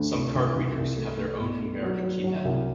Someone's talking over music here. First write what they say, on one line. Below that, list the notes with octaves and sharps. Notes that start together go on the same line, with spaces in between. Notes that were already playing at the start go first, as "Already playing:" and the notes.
Some card readers have their own numeric keypad.
Already playing: D2
C2
C2
C2
C2
A3
A3
B2
A3
F#3
F#3
F#3
C2